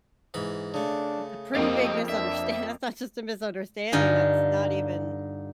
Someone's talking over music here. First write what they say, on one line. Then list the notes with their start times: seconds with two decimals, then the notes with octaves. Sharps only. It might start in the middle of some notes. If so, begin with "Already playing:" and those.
a pretty big misunderstand that's not just a misunderstanding, that's not even
0.34 G#2 E3 B5
0.74 C#3 A3 D4
1.55 F2 A#3 C4 G4 D#5 F5
2.09 D4 E5
3.92 G2 D3 D#4 F4 G#5